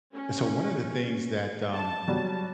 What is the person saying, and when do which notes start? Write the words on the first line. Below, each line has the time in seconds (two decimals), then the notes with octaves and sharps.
So, one of the things that, um,
0.14 C#4
1.74 A5
2.08 F#3 G3